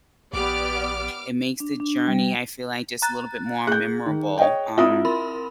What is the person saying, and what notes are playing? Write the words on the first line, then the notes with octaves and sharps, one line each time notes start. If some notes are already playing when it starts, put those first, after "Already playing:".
it makes the journey I feel, like, just a little bit more memorable, um,
A#1 B3 G4 D5 D6 F6
D4
D4
G3
A#5 F#6 A6
G#4 F#6 G6
D#3
C#5 D#5 G5
C4 E4 F4 E5 D#6
A#4 B5 C6